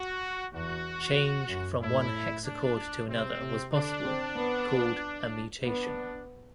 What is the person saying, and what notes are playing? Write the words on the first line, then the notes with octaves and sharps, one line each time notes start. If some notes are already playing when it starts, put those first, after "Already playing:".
Change from one hexachord to another was possible, called a "mutation".
Already playing: F#4
E2 F#4
F#2
A2 E4
D4
C3 C4
C3
D3 D4
C4
B3
B3 D4